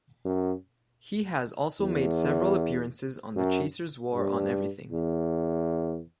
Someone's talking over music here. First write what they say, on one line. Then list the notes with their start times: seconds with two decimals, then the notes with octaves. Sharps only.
He has also made several appearances on "The Chaser's War on Everything".
0.25 F#2
1.81 E2
3.36 F#2
4.15 G2
4.92 E2